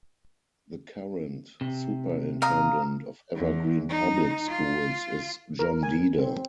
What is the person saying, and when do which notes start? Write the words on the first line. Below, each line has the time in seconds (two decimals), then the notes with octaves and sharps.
The current Superintendent of Evergreen Public Schools is John Deeder.
1.61 C3
2.42 F5 A#5 D#6
3.35 E2
3.89 D#4
4.48 F4
5.59 A#4
5.83 G#5
6.18 C4